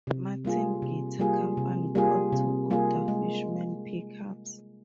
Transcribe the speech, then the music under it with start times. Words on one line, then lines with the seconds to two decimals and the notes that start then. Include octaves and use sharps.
Martin Guitar Company called to order Fishman pickups.
0.07 C3
0.45 G3 A#3 F4 G#4
0.82 C3
1.19 G3 A#3 F4 G#4
1.57 C3
1.95 G3 A#3 F4 G#4
2.32 C3
2.70 G3 A#3 F4 G#4
3.08 G#3